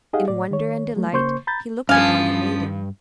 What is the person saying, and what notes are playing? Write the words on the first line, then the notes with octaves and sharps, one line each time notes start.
In wonder and delight he looked upon the maiden.
D#4 G4 G#4 D#5 F5 F#5
A2 D5
D#3 C#5
F#3 A3
C#3 A#3 C5 C6 C#6 G6
A#5 B5 G6 A6
G2 D3 F3 B3 C#4 F5 G#5